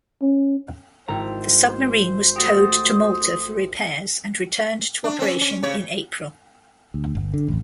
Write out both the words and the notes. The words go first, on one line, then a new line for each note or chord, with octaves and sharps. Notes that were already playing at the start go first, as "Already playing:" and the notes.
The submarine was towed to Malta for repairs and returned to operation in April.
C#4
G#1 E4 C5 A#5
A3 F#4 G4 C6 D#6
D4
C4 C#4
C#4
C#3 C#5
D2
G1
D3
A1